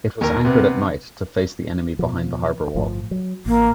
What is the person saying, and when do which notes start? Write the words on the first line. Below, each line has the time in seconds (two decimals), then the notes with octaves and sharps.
It was anchored at night to face the enemy behind the harbour wall.
0.21 D#2 A#4
0.45 C3 B3
1.99 B2 F3
2.75 G1 A2 F3
3.11 F#3
3.46 A1 A#3